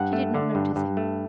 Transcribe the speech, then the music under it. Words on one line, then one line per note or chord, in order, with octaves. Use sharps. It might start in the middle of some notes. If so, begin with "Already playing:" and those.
She did not notice him.
Already playing: G2 F#5
A3
D3
G2
G2
A3